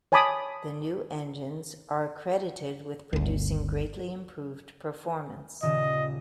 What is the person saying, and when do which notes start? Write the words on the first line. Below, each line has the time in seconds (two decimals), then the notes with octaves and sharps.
The new engines are accredited with producing greatly improved performance.
0.12 C#5 G#5 A5 B5 D6 D#6
3.13 G1 D2
5.63 D#1 C#3 D#5 E7